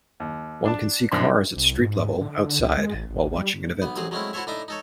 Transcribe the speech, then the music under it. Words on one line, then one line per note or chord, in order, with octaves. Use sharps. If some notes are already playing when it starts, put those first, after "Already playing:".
One can see cars at street level, outside, while watching an event.
D#2
D4 A5
A#1 F#2 C4 D4 C6
C2
G#2
D3
C#2
G#3
A1
A1
G3
B1 B3
A1 F#3 C4 G#4
F#3 G#3 A3 C4 C#4 E4
E4 F#4 A4 C5 C#5 E5
A2 D4 D#4 D#5 E5 D6
D#4 A4 C#5